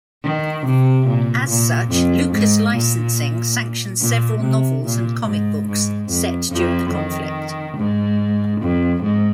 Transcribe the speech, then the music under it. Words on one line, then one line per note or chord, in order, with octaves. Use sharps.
As such, Lucas Licensing sanctioned several novels and comic books set during the conflict.
D#3
C3
A#2
A#2
F2
G#2
A#2
A#2
C3
A#2
G#2
G#2
F2
F2 F3
D#3
G#2
F2
G#2